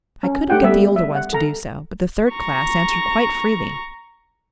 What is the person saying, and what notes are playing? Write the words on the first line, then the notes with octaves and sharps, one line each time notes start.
I couldn't get the older ones to do so, but the third class answered quite freely.
C#4
A3 G4 F#5 G5
G3 A3 B3 E5
E5
F#5
A4 A#5
A#5 C#6